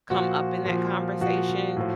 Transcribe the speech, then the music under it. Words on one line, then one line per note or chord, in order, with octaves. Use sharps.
come up in that conversation,
A#2 F3 F#4
A#2 F3
A#2 F3 F#4
A2 F3